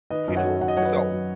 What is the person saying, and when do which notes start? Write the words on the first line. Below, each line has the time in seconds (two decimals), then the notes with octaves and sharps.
you know, and so,
0.10 D#3 B4 D#5
0.28 F#2
0.36 C#5 F#5
0.44 F#3
0.61 F#2 F#5
0.68 D#5
0.77 F#3 C#5 F#5
0.85 B4 D#5
0.94 F#3
1.11 F#3